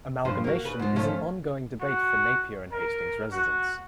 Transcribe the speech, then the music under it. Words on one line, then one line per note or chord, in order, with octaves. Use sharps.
Amalgamation is an ongoing debate for Napier and Hastings residents.
G2 F3 C5
A#3 F#4
C#3 B4
G#2 F3
F3 A3 C#4
F#4
A#4
F#4